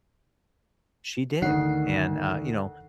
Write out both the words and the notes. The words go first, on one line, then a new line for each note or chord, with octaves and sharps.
she did, and, uh, you know,
D2 D#3 F#5 C7